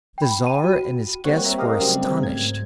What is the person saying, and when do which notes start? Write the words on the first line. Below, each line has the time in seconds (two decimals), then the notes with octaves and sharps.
The Tsar and his guests were astonished.
0.18 G5 B5
0.47 D#7
0.64 F#4
1.24 G3 A#3 C4 C#5 F#5
1.45 E5 A#5
1.58 G4 A#4 D#5 F5
1.80 C#3 F#3 G3 A3 C4
2.21 G#2 G#6